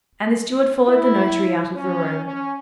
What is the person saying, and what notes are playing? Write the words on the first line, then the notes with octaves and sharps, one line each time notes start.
And the steward followed the notary out of the room.
E4
C#4
C#4